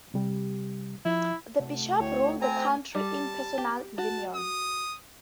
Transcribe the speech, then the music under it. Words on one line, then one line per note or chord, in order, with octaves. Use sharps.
The bishops ruled the county in personal union.
C3 G3 G4
F3 E4
A2 C3 A3 F#4
D2 E4 C#5 G5
C4 C5 G#5 A#5
G3 A5
G4
F#4 A5
D#6